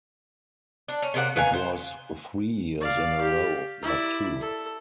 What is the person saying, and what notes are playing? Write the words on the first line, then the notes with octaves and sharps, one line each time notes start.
It was three years in a row, not two.
D4
C#4
C3 A#3 G4 F#5
D#3 B4 F5 G#5
C5
D5 F5
G4
E4 D5
A4